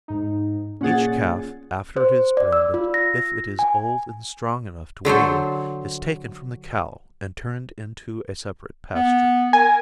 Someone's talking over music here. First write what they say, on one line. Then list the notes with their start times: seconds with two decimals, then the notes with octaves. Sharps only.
Each calf after it is branded, if it is old and strong enough to wean, is taken from the cow and turned into a separate pasture.
0.08 G#2 D#4
0.81 A#2 C#4 G#4 F#5 A6
1.97 C5
2.37 D5
2.53 E6
2.74 F4
2.94 A#6
3.59 G#5
5.05 D3 F#3 A4 C5
8.95 B3
9.53 A#4 G#5